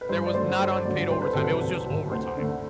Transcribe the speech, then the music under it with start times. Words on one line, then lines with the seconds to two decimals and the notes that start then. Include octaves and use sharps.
There was not unpaid overtime, it was just overtime.
0.01 B4
0.09 G2 C5
0.26 D5
0.34 D3 F#3 A3 C5
0.59 G2 C5
0.72 D5
0.85 D3 F#3 A3 D5
1.10 C2 C5
1.22 B4
1.33 C3 F#3 A4
1.44 B4
1.61 C2
1.86 C3 F#3
2.11 D2 C5
2.37 D3 A3